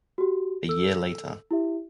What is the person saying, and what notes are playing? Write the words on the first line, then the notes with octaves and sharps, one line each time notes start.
A year later.
F#4 G4
A4 E6
E4 G4 E5